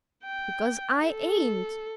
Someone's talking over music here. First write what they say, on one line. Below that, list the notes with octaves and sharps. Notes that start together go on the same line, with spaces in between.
"Because I ain't."
G5
A4